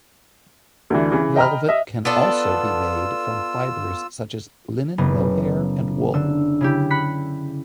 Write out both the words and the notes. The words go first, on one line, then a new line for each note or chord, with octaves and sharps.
Velvet can also be made from fibers such as linen, mohair, and wool.
D2 D3 E3
C#3 E3
D#5 G5 A#5 B5 F6
D#5 E5
B3 D4 F4 A4 E6
F#1 C#3 B3
D3 E6
C#3 E4 G4
B5 F#6 B6 C#7